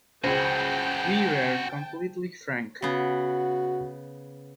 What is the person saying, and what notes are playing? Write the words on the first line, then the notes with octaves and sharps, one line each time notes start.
We were completely frank.
C#2 C#3 F#4 G#4 C5 G5 A5
C#3 B3 F#4